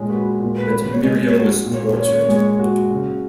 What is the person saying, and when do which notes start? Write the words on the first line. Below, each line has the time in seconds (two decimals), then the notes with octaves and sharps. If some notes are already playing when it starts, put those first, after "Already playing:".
But Miriam was tortured.
Already playing: A#2 G#3 C#4
0.09 F#4 B4
0.40 A#2
0.56 B4
0.72 C#4
0.83 B4
0.93 C#5
1.03 G#3 D#5
1.26 C#5
1.35 F#4
1.66 A#2
1.73 C#5
1.97 C#4 C#5
2.28 G#3
2.59 F#4
2.91 C#3